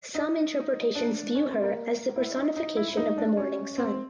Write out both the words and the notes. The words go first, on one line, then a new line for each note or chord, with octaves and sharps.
Some interpretations view her as the personification of the morning sun.
D#4
D4
C#4
C4
A#3
E4
D#4
D#4
E4
E4
D#4
D4
C#4
C4